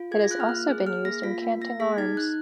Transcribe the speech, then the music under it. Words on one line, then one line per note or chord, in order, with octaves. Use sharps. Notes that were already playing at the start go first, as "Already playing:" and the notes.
It has also been used in canting arms.
Already playing: F4
G#4 G#6
A#6
F4 F#6
F6
A#3 F#6
G#4
G#4 F6
A#3 A#6
F4 B6
A#3
A#3 A#6
G#4 B6
D#4 G#6
D#4 F#6